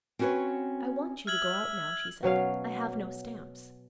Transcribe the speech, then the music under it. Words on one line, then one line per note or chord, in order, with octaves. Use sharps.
"I want you to go out now," she said, "I have no stamps."
C4 C#4 F#4 A4 B4 C#5
E5 F6 G#6 F#7
B2 F#3 C#4 F5